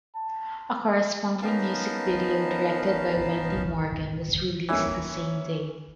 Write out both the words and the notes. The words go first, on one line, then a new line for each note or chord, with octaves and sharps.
A corresponding music video directed by Wendy Morgan was released the same day.
A5
B3 C#4 D#4 A#4 F5 A5
D#3 E3 G3 A#3 C#4 E4